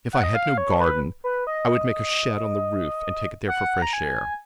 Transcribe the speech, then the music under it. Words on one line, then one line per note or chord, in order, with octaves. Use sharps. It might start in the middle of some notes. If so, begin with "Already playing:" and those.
If I had no garden, I would make a shed on the roof, and take it there for fresh air.
F#5
D#5
F5
C#5
B4
B4
D#5
F#5
A#5
G#5